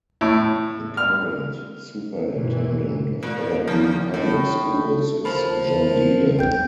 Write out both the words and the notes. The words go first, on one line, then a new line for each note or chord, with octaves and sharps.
The current Superintendent of Evergreen Public Schools is John Deeder.
A2
F6
A1 G2 B2 E3
A#2
F2
A2
D#2 F3 A#4 A5 B5
C4 F4 G5 G6